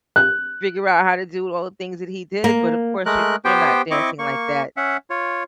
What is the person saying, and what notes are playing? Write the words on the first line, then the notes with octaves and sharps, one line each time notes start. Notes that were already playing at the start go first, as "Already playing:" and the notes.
figure out how to do all the things that he did, but of course you you're not dancing like that,
F#6
A#3
G#3 A3 A#4 F#6
B3 G4 C5 G5
C4 E4 D#5 C#6 D6
A#3 C#6
C#4 E5 F#5
F4 C#5